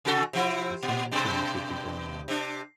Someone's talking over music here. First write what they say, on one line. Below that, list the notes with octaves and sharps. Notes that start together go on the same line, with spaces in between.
The same thing should be done now.
C3 F#4 A4
C3 F3 E4
A#2
G2 B2 D4
C3 D4